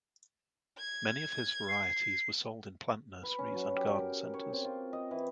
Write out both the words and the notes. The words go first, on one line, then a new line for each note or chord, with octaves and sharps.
Many of his varieties were sold in plant nurseries and garden centers.
G#6
C7
B4
C#4
F#3
G4
A#4
C#5
C4
F4
D#5
E3